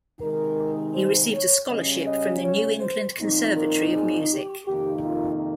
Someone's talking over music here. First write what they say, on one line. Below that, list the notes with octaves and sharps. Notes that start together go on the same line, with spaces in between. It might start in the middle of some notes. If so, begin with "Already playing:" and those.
He received a scholarship from the New England Conservatory of Music.
C3 D#3 G#3 D#4 A#4
C5
C#5
C#3 G3 C#4 D#5
D#5
C#5
C5
A#2 F3 C4 D#4
A#4
G#4
G4
F2 C3 D#3 A#3 D#4 G4
F4